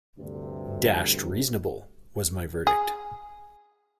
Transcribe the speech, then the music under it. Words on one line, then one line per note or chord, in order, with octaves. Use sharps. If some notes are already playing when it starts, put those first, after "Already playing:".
Dashed reasonable, was my verdict.
D2 G2 C3
G#4